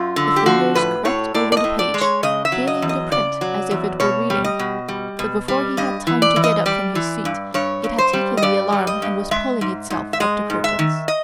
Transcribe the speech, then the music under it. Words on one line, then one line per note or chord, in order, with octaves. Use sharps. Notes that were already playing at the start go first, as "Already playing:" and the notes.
The fingers crept over the page, feeling the print as if it were reading; but before he had time to get up from his seat, it had taken the alarm and was pulling itself up the curtains.
Already playing: F#2 F4
D3
G4
F3 F#4
A2 B4
A2 C#5
A2 D5
D5
D#5
A2
D5
G#3
C#5
C#3 D#5
E5
F#3
D#5
E2
D#5
C#3 D5
F#3
E2
B2 C#5
G3
D#5
B2
G3
B2
G3
G2 D#5
E3
D5
E3
D#5
G3 D5
E3
G2
G2 C#5
G2
C5
G3
D#5
G2 D5
G3
D#5
G2
G#3 E5
G#2
G#2
E5
G#3 D#5
G#2
E5
D#3
D#5